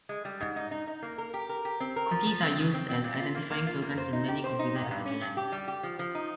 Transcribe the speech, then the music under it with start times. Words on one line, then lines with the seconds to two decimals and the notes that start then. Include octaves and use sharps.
Cookies are used as identifying tokens in many computer applications.
0.09 G#3
0.25 G3
0.41 G#2
0.56 D#4
0.71 D#4
0.87 D#4
1.02 A#3
1.18 A#4
1.34 G4
1.49 A#4
1.65 G4
1.80 C4
1.96 A#4
2.11 F3
2.27 F3
2.42 C4
2.58 C#3
2.74 C4
2.89 C4
3.04 A#2
3.20 F4
3.35 A#3
3.51 A#3
3.67 F4
3.82 A#3
3.98 C5
4.13 D#4
4.29 G4
4.44 C5
4.59 D#4
4.76 G4
4.91 G2
5.06 C#4
5.21 G2
5.37 G4
5.52 G3
5.68 G4
5.83 F3
5.99 F3
6.15 D#4